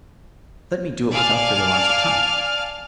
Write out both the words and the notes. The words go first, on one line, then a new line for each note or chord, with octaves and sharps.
Let me do it without further loss of time.
D5 F5 G#5 A5 F6